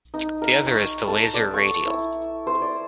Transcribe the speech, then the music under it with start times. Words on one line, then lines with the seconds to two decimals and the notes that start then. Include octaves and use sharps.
The other is the Laser Radial.
0.14 D#4
0.42 A#4
0.67 C#6
1.08 A4
1.34 D5
1.54 C#6
1.86 E4
2.47 C5
2.62 D5